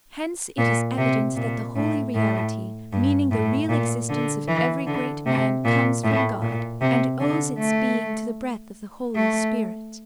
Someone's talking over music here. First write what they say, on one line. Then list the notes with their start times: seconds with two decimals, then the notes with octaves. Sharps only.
Hence it is evident that the holy reality, meaning the real existence of every great man, comes from God and owes its being to the breath of the Holy Spirit.
0.58 A#2
0.98 C3
1.36 A#2
1.76 A2
2.14 A2
2.92 G2
3.31 A2
3.69 A#2
4.09 D3
4.48 E3
4.86 D3
5.26 C3
5.65 A#2
6.03 A2
6.42 A#2
6.81 C3
7.20 D3
7.59 A3
9.15 A3